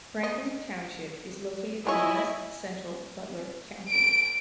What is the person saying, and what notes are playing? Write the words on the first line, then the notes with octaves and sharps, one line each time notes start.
Franklin Township is located in west-central Butler County.
D#5
E4 F4 C#5 D#5 G#5
D7